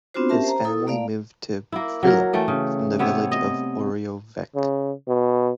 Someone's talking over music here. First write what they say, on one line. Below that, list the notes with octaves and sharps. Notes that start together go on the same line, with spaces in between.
His family moved to Prilep from village of Oreovec.
B3 C4 D4 F4 F#4 C5
C#4 G4 A#4 E5 A5
C5 A#5
E4 A4 D#6
A3 A#3 D5 F5
A#3 E4
F#3 A#4
E3 A3 G5
C#3
C3 B3 C#5 E5
D#5
C#3
B2